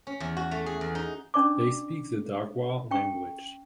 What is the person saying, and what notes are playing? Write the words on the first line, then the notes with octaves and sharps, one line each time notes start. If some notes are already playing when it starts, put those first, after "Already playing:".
They speak the Dargwa language.
C#4
E2
F#4
A3
G#4
E2
D#4
C#4 D4 D5 C#6 D6
C#4 G5 C#6